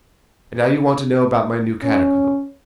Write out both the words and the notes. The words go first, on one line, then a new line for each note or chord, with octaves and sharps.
And now you want to know about my new catacomb.
C#4